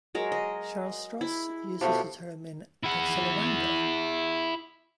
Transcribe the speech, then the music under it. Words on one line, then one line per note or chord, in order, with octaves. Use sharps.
Charles Stross uses the term in "Accelerando".
F#3 G#3 A#4
D#5
E4
B2 F3 A3 B3 G4
E4 F#5